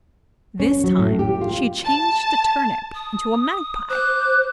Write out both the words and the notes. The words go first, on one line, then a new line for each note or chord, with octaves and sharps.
This time she changed the turnip into a magpie.
C#4
F#3
A2
G4
F4
A5
D#6
C5 D6 F#6 G6